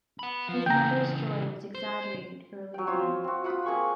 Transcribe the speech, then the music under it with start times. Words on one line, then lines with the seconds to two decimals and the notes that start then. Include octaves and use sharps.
His mother’s joy was exaggerated earlier then.
0.19 F#5 B5
0.49 F3
0.66 C#3 E3 G5 A#5
1.75 C5
2.74 F#3 G5
2.87 C4 F4 C5 C#5
3.24 C4 F#4
3.44 F4 F#5 B5 D#6
3.66 A#3 C4 G#4 C#6